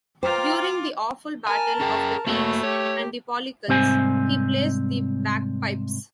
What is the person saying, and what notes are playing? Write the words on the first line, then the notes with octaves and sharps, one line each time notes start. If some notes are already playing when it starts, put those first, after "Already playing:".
During "The Awefull Battle of the Pekes and the Pollicles", he plays the bagpipes.
F4 C5 G5 A#5 D6 F6
A#4 G#5 A5
C#4 G#4 G5
A3 A#3 F#4 C#5
G4 C#5
C2 G#2 C4 C5 G#5